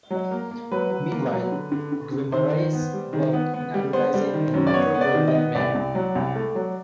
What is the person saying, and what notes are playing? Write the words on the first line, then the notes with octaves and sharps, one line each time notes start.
Meanwhile, Guimarães worked in advertising in Metro Goldwyn-Mayer.
F#3
A#3
A#3
F#3 B4
F#3
A#3
F#3
D3
D3
D3
D3
D#3 C5
D#3
B3
G3
D#3
B3
B3
G3
B3 C5
G3
D#3
F#2
D5
B3 C#5
B3
D5
D#3
D#5
B3
C2 D5
C2
F#3
C2
A3
F#3